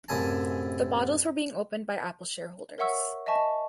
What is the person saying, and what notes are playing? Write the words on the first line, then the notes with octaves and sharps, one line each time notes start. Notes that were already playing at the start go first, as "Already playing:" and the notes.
The bottles were being opened by Apple shareholders.
A1 F#2 C3 E5 G#5 A5
A#4 C#5 E5 F#5 C#6 E6
D#5 E5 G#5 A5 C#6